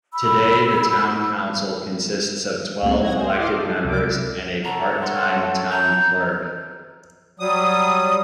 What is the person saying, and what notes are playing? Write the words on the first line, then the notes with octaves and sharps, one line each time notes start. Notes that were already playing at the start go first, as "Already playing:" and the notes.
Today the town council consists of twelve elected members and a part-time town clerk.
B5 E6
C#2 A#2 F#3 G#3 A3 C4
F#4 G#6 A#6
G#4 C5
E4 G4 D#5 F5 C6 D6
A4
C#2 C3 F#3 E4 D5 D6
A4 C#5 F#5 A5 A#5
C6
A#5 G6
F#3 G3 D#6